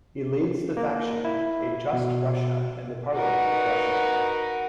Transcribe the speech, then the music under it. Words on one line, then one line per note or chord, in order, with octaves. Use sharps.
He leads the faction A Just Russia in the Parliament of Russia.
A#3
E4
B2
D#4 F#4 A#4 B4 F#5